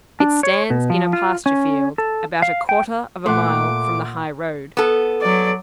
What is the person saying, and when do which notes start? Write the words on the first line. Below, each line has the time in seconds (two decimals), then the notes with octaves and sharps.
It stands in a pasture-field, about a quarter of a mile from the high road.
0.20 D4
0.43 C#5
0.70 B2
0.90 F3
1.13 F4
1.46 C#4
1.98 A4
2.42 F5
2.69 G5
3.26 A#2 A3 F#5 C6 D6
4.77 B3 A4
5.22 F#3 D5